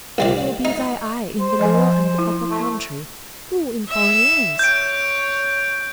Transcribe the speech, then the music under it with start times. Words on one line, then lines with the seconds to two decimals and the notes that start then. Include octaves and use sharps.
Who will be thy eye in the Lower and the Upper Country, who in foreign lands?
0.18 C2 C4 D5
0.65 D#4
1.39 C5
1.59 F3 D#5 G#5
2.19 E4
2.51 A3
3.88 E5 E6
4.59 C#5 G6 D7